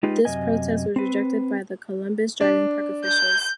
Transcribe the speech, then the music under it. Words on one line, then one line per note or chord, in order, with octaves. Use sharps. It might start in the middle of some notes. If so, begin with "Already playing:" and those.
This protest was rejected by the Columbus Driving Park officials.
G#3 D#4 F4 G4 B4
F#2 C3 D#5 G#5
C4 B4
D4
G6